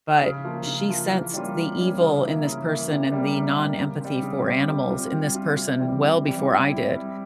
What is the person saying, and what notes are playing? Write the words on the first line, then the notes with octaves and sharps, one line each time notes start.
but she sensed the evil in this person and the non-empathy for animals in this person well before I did,
C#3
F3 A#3 F4
C#3
F3 A#3 F4
E3
G3 A#3 C#4 F4
E3
G3 A#3 C#4 F4
C#3
E3 A#3 E4
C#3
E3 A#3 E4
C3
G3 A#3
C3
G3 A#3
C#3
G3 C4
C#3
G3 C4
G3
C4 F4
G3
C4 F4
C3
E3 G3 C4
C3
E3 G3 C4
G3
C4 E4
G3